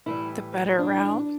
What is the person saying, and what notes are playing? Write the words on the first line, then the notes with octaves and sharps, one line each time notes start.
The better route.
A2 E3 G3 E4
D4